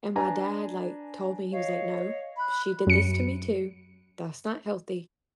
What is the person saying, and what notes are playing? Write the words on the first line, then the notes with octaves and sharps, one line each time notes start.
And my dad, like, told me, he was like, "No, she did this to me too. That's not healthy."
D4 B4 G#5 A#5
C#5 D#5 F5
B5 F#6
F#2 C#7